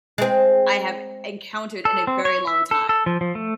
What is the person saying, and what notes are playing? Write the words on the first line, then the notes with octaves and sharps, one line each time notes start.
I have encountered in a very long time,
G#3 C4
A4
C4
C#5
E5
A4
A4
F3
F3
A3